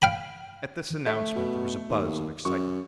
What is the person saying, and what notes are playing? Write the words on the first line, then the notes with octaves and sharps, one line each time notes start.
At this announcement there was a buzz of excitement.
F5 G5 B5
A3 B6
B2
D#2
F#2 C#6